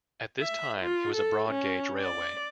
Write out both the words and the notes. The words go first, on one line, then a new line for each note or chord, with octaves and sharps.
At this time it was a broad gauge railway.
E5
F4
A4
C#4
D5